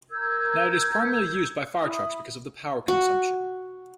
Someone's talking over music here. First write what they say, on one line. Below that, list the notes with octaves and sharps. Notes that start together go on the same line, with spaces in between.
Now it is primarily used by fire trucks because of the power consumption.
A#4 E6 G6 G#6
E4 B5 D#6
F#4